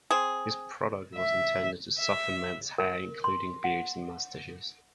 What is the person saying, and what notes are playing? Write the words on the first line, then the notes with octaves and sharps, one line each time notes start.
His product was intended to soften men's hair, including beards and mustaches.
C4 G#4
E5
E5
A#4
C6
F#5